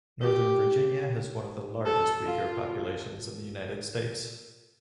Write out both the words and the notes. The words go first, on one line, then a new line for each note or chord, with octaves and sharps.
Northern Virginia has one of the largest Uyghur populations in the United States.
G4
A4
F4